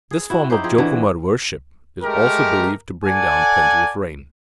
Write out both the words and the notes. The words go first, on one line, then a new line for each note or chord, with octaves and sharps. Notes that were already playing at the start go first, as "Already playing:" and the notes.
This form of Jokumara worship is also believed to bring down plenty of rain.
G#4
E4 F#4
D#4 E4 G4 C5
F3 C4 G#4
D3 E3 F#4
G#3 A3 G4 A#4
A4 D5 F#5 G#5